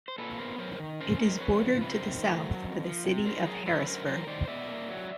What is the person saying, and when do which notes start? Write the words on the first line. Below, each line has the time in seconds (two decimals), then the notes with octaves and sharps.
It is bordered to the south by the city of Harrisburg.
0.08 C5
0.18 A#2 A4 B4
0.38 B3 A#4 C5
0.58 F#3 A#4 C5
0.79 D#3
1.00 C#4 A#4 C5
1.21 G#3 A#4 C5
1.40 F2 B4 C#5
1.61 F3
1.72 C5
1.81 C3 B4
1.91 A#4 C5
2.03 D#3
2.22 A3
2.43 F#3
2.64 F2
2.84 F3
3.04 C3
3.25 G2 A#4 C5
3.45 F#3 G#4 A#4
3.66 D3 A4 B4
3.80 B4
3.86 F#2 A#4 C5
4.06 F#3 A#4 C5
4.27 D#3 C5 D5
4.47 B2 D5 E5
4.68 A#3
4.88 F#3